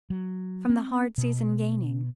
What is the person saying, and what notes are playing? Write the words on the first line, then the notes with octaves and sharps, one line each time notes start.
From the hard season gaining?
F#3
C4
B2